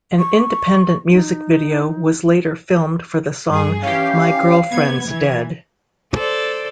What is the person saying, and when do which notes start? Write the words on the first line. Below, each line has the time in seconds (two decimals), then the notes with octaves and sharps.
An independent music video was later filmed for the song My Girlfriend's Dead.
0.19 C#6
1.11 D#4
3.48 G2 G#4
3.83 E3 C#4 G4 F5
4.72 B3 G#6
5.09 E3
6.12 A4 C5 D5